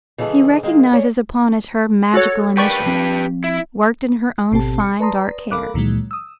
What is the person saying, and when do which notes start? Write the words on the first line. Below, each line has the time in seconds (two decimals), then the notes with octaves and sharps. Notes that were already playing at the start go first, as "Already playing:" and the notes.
He recognises upon it her magical initials, worked in her own fine dark hair.
0.18 C#3 E3 G#3 G#4 A4
0.63 D#3 G#3 A#3
0.91 C#5 D5 G#5
2.14 F#4 A4 C#5
2.57 G4 A#4 B4 D5 F#5 G5 C#6 G6
2.86 F3 C4
3.44 E4
4.52 G#1 B2 C4 G4 A4 A5
4.80 C#7
5.00 B4 D5 A5 A#5 C6 D#6
5.51 A4 A#4 F5 B5 D6 F#6
5.74 C#2 A#2 D#3 E3 F#3 G#3
6.11 D#6 E6